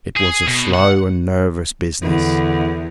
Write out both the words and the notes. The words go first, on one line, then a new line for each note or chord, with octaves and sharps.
It was a slow and nervous business.
G#4
B2
F#5
E2 D3